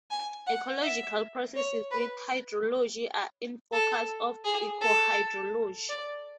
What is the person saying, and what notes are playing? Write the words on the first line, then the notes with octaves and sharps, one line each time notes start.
Ecological processes with hydrology are in focus of ecohydrology.
G#5
F#5
E5
C#5
B4
A4
G#4
A4
D5